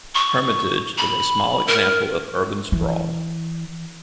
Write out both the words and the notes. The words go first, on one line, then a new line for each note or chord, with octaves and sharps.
Hermitage is a small example of urban sprawl.
C#6
B5
A#4
E3